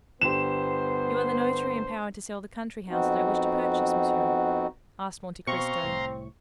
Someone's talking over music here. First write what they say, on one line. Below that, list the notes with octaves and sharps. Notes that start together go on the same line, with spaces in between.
"You are the notary empowered to sell the country house that I wish to purchase, monsieur?" asked Monte Cristo.
G1 B3 G4 C5 E7
F2 B3 C4 D#4 F#4
B2 C4 F5 A#5 C6 C#6
C2 A2